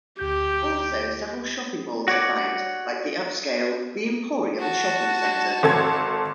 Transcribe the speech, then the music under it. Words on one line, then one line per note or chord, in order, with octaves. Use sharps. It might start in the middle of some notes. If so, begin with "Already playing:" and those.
Also several shopping malls are found, like the upscale The Emporium shopping center.
D2 G4 G6
F#4 C#5 D5
F#4 A5
G#1 A4 G#6